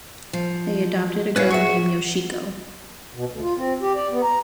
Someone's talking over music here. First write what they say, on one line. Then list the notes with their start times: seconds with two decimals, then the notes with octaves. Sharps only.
They adopted a girl named Yoshiko.
0.33 F3
1.36 C#4 E4 F#4 B4 C#5 F5
1.51 F#4 G#4 E5 F#5 C#6
3.15 B2
3.30 D2
3.41 F4
3.57 C4
3.82 G4
3.95 D5
4.10 B3
4.23 A#5